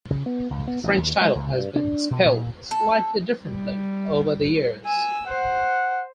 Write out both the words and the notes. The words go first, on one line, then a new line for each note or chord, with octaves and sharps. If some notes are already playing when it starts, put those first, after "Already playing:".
The French title has been spelled slightly differently over the years.
C#3
B3
C#2
B3
A1
D#2
G#3
C#2
G2
D4
B2
A#2
A4
G3
G#5 E6
C5 F#5